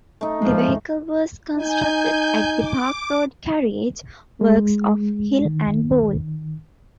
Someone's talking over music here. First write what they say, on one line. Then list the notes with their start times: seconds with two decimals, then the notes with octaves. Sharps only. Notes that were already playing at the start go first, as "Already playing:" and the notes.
The vehicle was constructed at the Park Road carriage works of Hill and Boll.
0.21 A3 D#4
0.42 E3 F3 G#3
1.57 D#4 G#5 G6
2.58 D6
4.41 G#3
5.45 D#3